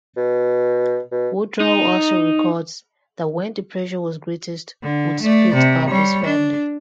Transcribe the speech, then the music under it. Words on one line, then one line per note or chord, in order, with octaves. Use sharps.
Wodrow also records that when the pressure was greatest would split up his family.
B2
B2
D#4
D3
A3 D5
C3
G3 C#5
D4